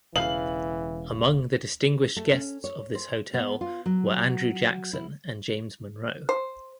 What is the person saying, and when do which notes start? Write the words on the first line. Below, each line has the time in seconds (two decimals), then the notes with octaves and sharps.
Among the distinguished guests of this hotel were Andrew Jackson and James Monroe.
0.16 E1 C#3 E3 F5 F#7
2.17 A3
2.33 C#4
2.64 C#5
2.95 C5
3.34 B3
3.61 F4
3.86 F#3
4.93 E4
6.29 C5